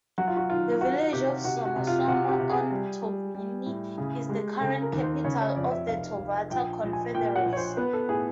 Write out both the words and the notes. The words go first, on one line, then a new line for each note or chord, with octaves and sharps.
The village of Somosomo on Taveuni is the current capital of the Tovata Confederacy.
F#3 F#4
F4
F#4
D#3 F4
D#3 F#4
C3 G4
C3 F#4
F#4
C3
F4
C3 F#4
G4
C3
G#4
G3
G3
G3
A2
C#3 G#4
G#3 G4
C#3 A4
A#4
D#2
C5
C#3 C#5
C#5
F2 D5
E5
F1 F5
F1
A#1 G5
A#1
G#5
A#2 G5
F#5
A#1
C#5
C5
B3 B4
A4
A2 G#4